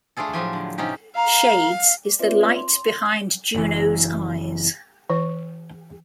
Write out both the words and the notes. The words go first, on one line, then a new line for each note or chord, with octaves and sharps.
Shades is the light behind Juno's eyes.
A3 D4 F4 G#4 A4
A2 F3 F#3 F4 G4 G#5
D3
A2 C3 C#4 D#4 G4
F5 A#5
C4 F4 B4 C#5 D5 E5
C6
F#1 E3
E3 C#5